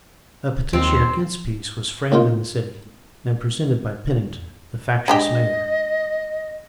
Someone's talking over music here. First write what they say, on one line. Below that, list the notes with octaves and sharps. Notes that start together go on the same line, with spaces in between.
A petition against peace was framed in the city, and presented by Pennington, the factious mayor.
D#2 C4
A2 A#3 D#4 F4
G#3 D4 G4 D#5